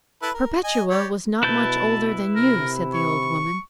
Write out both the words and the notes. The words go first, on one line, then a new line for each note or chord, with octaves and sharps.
"Perpetua was not much older than you," said the old woman.
E4 A4 B4
A#4
D#5 G#5
G4 C#5 D5
B2 E4 B4 A5 G6
C3 A#4
C#6